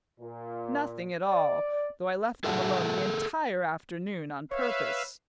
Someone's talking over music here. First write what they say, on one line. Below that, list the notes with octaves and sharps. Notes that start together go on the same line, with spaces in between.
"Nothing at all--though I left them alone the entire afternoon on purpose."
A#2
D5
G#4 A4 E5 F#5 G5 A5
B4 C#5 E5 F5